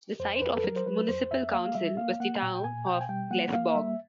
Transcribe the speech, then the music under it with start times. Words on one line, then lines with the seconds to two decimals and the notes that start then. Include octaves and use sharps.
The site of its municipal-council was the town of Glesborg.
0.19 F2 C5
0.36 C5
0.42 F2 B4
0.56 A4
0.64 F#3 A#4
0.76 C5
0.86 F#3 B4
1.08 F2 C5
1.30 F2 E5
1.53 A#3 F5
1.75 G3 E5
1.97 A#3 F5
2.20 A#3 F#5
2.42 A#2 G5
2.55 G5
2.64 A#2 G#5
2.86 B2 G5
3.01 G#5
3.09 G3 G5
3.31 A#3 F#5
3.53 A#3 F5
3.75 G3 E5